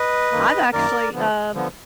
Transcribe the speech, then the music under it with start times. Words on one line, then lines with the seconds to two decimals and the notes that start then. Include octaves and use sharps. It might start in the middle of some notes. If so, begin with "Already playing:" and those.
I've actually, uh,
Already playing: B4 D#5
0.32 F#2 D#3 A#3
0.73 F#2 D#3 A#3 A#4 D5
1.13 D3 F3 B3
1.54 D3 F3 B3